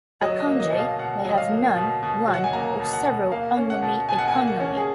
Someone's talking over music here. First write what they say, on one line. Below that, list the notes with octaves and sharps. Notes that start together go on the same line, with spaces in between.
A kanji may have none, one, or several on'yomi and kun'yomi.
F#3 D#5
D#5
A#3
D#5
B2 D#5
F5
B2 F#5
F#3 D#5
F5
A#3
B2
B2
F#3
F#5
G#5
A#3 A#5
B2
F#5
B2
A#3 F5
C#4
F#5
B2
B2 G#5
F#5
G#5
A#3
F#5
C#4
G#4